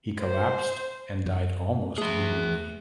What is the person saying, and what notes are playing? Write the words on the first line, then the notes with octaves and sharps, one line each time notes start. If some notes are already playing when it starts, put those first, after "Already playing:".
He collapsed and died almost immediately.
C5
F#2
A3 G#4 E5